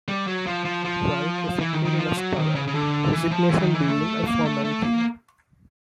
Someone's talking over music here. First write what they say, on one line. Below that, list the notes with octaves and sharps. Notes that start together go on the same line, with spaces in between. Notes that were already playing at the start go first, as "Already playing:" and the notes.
Wright effectively lost power, the resignation being a formality.
G3
F#3
F3
F3
F3
E3
D#3
D#3
F3
F#3
D#3
C#3
C#3
D3
E3
F3
E3
D#3
E3
A3
A#3
A3
A3
A#3